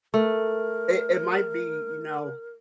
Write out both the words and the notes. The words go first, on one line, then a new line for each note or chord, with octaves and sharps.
It it might be, you know
A3 A#4